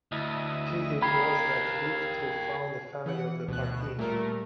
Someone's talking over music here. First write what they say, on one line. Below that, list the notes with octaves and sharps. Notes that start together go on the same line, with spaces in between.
He it was that lived to found the family of the Patino.
D2 E4 D#5
G4 A#4 F5 B5 G#6 C7
E3 F#5
D2 B2 F#6
A#2 G3 A3 A#4